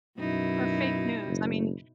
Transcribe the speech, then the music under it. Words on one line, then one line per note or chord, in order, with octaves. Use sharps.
Or fake news, I mean,
F#2 B2 D#4 E4
F#1